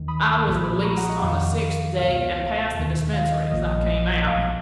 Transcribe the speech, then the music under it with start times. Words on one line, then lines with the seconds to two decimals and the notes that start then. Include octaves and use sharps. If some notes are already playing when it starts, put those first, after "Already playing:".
I was released on the sixth day and passed the dispensary as I came out.
Already playing: D#2 D#3
0.08 B5 D#6
0.46 B1 A#2 F3 B5 D#6
0.84 A#5 C#6
0.97 F#5 A#5
1.09 D#5 F#5
1.22 F2 D#3 F5
1.98 C#2 B2 F5
2.75 D#2 D#3
3.13 F5
3.32 D#5
3.51 A#1 A#2 F3 D#5
4.26 B1 B2 F5